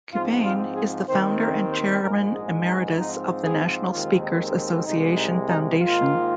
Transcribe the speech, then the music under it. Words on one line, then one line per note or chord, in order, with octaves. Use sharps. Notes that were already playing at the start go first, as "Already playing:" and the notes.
Qubein is the Founder and Chairman Emeritus of the National Speakers Association Foundation.
G#2 F3 C4 F4
F4
G#4
D#2 D#3 C4 C5
A#4
C5
A#1 G#2 G#3 A#4
G#4
D#4
G#2 F3 C4 D#4
G#4
D#2 D#3 G#3 C4 F4
C2 C3 G#3 D#4
D#4
D#4
G#2 D#3 A#3 F4